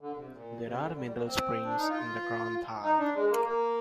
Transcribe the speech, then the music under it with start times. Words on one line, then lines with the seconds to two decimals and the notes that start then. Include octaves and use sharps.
There are Mineral springs in the Kronthal.
0.01 D3
0.16 C3
0.32 A#2
0.64 C3
0.80 D3
0.95 G3
1.06 G3
1.16 A#3
1.26 C4
1.64 D4
1.77 D#4
1.89 F4
2.84 D#4
2.99 D4
3.14 G#3
3.30 A#3
3.46 A#3